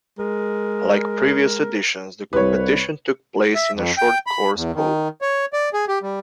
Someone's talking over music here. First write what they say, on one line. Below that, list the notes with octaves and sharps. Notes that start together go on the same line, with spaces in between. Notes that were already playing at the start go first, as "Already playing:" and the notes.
Like previous editions, the competition took place in a short course pool.
G#3 A#4
C2 B4 C#5
E5
F2
G5
B5
E2
D#3
C#5
D5
G#4
G4
G3